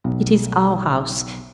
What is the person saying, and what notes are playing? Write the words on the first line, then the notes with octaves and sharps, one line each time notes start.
It is our House.
B1